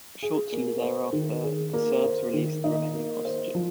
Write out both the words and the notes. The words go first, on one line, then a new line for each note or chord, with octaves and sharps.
Shortly thereafter, the Serbs released the remaining hostages.
G#4
A#3
C5
D#3
G#4
A#3
C5
D#3
D#4
A#3
C5
F3